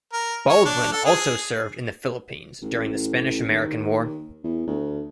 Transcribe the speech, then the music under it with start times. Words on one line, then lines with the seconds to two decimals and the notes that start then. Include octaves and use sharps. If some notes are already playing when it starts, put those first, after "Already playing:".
Baldwin also served in the Philippines during the Spanish-American War.
0.13 A#4
0.50 C#5
0.66 D4
0.92 A4
1.05 G#4
2.62 A1
3.48 D#2
4.44 E2
4.67 D2